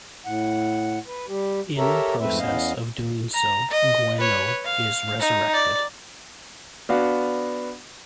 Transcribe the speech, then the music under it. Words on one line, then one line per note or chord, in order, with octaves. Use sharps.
In the process of doing so, Gwenno is resurrected.
A2 F#5
B4
G3 G4
G4 A4 A#4 C#5 E5 A#5
F2 G#2 A3 C4 B4 E5
E2 B3 C#4 D#5 F5
A#5
D#5
B4 C#5
F5
D#4
D5
B3 D4 F#4 D5 F5